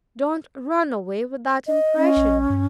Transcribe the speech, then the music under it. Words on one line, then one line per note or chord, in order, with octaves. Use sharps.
Don't run away with that impression.
D#5
C#4
A#1
G2